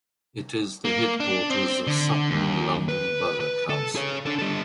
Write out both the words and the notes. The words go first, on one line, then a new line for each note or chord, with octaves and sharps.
It is the headquarters of Sutton London Borough Council.
A#3
D4
C4
D3
D#2
B4
B4
A4
G#4 C#5
D4 A4
G3 A4